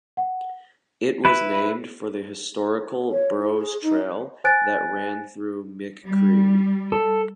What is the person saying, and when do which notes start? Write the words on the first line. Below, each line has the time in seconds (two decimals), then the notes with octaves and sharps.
It was named for the historical Burrows Trail that ran through McCreary.
0.17 F#5
1.25 E4 B4
3.10 C#5
3.37 E4
3.56 G#4
3.82 D#4
4.44 C5 G#5 F#6 A6 D7
6.05 G3
6.92 A4